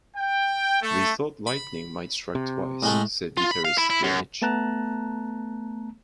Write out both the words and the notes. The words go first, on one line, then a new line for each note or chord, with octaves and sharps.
"We thought lightning might strike twice", said guitarist The Edge.
G5
A3
B5
C3
A2 G#3 A3
F4
B5
F5
E4
E4
F#2
A3 B3 A5 A#5 F#6